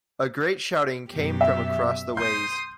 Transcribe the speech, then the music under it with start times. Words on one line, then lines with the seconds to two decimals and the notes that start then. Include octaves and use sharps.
A great shouting came from across the ways.
1.10 F#2 B2 G4
1.41 E5
2.17 C6 D#6 G6